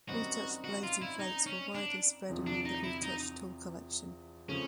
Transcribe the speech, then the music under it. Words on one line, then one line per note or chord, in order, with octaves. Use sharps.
Retouched blades and flakes were widely spread among the retouched tool collection.
F#2 D#3 G3 C4 D#4 F#4
F#4
F4
E4
D#4
C#4
D4
E2 C3 F3
D4
D#4
E4
D#4
C#3 F3 A3 C4 C#4